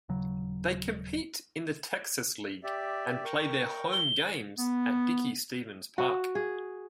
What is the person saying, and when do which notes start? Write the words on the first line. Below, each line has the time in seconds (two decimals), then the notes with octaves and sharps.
They compete in the Texas League and play their home games at Dickey-Stephens Park.
0.09 D#1 C#3 F#3
2.63 G4 D5 E5
3.24 A#4 G5 C#6
3.93 G7
4.59 B3
5.98 F#4
6.35 G#4